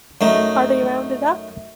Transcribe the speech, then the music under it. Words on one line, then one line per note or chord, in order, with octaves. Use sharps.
Are they rounded up?
F#2 A3 D#4